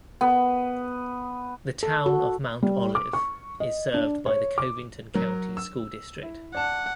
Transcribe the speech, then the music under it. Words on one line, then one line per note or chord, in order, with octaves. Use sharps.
The town of Mount Olive is served by the Covington County School District.
B3
A4
F#4
G3
D6
C#6
D#5
D4
C#5
D6
F#3 A#4
E6
E4
D5 F#5 A5